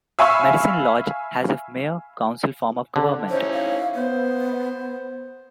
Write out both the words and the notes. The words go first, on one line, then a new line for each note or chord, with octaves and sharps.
Medicine Lodge has a mayor-council form of government.
E5 F5 G#5 B5 C#6 E6
D3
C#4 D#4 E4 C5
F5
B3 C5